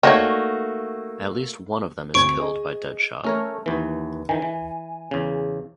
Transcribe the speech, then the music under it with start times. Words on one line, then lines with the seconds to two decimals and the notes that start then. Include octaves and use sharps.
At least one of them is killed by Deadshot.
0.03 D#3 A3 A#3 D4 F#4 C#5
2.14 D2 C4 C#6 G#6 D7
2.40 G#4 D#5
3.24 A3 C#4 A#4 C#5
3.66 D#2 E3 B3
4.29 D#3 E3 G#5
4.42 E3
5.11 E2 C#3